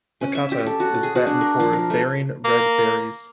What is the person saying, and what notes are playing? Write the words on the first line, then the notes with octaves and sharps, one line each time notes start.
"Baccata" is Latin for "bearing red berries".
C#4
E5
G4
A4
F#4
G#4
F#4
D4
A#4
F3
A#4
A3
A#3